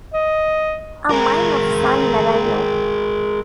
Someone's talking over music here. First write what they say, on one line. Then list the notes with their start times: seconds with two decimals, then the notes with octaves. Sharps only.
Amine of San Marino.
0.14 D#5
1.10 G#3 A#4